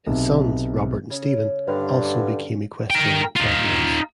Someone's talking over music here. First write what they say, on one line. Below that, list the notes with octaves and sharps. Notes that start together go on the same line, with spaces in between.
His sons, Robert and Steven, also became equestrian champions.
B1 C3
C#3
G2 D3 F5
A#4 G5
D#4 F4